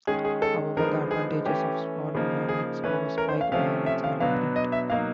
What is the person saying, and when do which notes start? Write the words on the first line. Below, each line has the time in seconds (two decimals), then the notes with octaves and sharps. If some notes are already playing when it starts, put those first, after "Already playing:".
However, the advantages of sword bayonets over spike bayonets are evident.
0.07 D#3 G#3 C#4 G#4
0.25 G#4
0.42 A4
0.77 D3 F3 G#3 B3 D#4 A#4
1.11 G#4
1.45 E3 A3 C#4 G4
2.15 C#3 F3 A#3 D#4
2.49 G#4
2.84 E3 A3 C#4 B4
3.18 A#4
3.29 C5
3.41 F5
3.52 C3 F3 A3 C#4 F5
3.86 E5
4.04 F5
4.20 B2 F#3 B3 D4 F5
4.56 D#5
4.72 E5
4.90 B2 F#3 A#3 D#4 F5